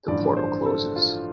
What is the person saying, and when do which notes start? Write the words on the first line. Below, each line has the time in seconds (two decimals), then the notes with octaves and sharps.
The portal closes.
0.08 A1 G2 D3 F3 D5
0.37 C5
0.66 A4
0.96 F4